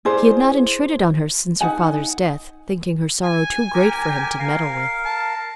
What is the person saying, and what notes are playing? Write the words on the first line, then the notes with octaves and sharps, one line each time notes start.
He had not intruded on her since her father's death, thinking her sorrow too great for him to meddle with.
E4 G#4 C5 D5
D#4 F#4 F#5 G#5
G#5
G4 A#4
A#4 F5
A5